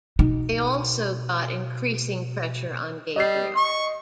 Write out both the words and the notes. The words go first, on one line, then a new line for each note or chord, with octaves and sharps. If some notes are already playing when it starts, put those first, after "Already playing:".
They also got increasing pressure on Gabriel.
B2 D#4
G3 D#5 C7
C#6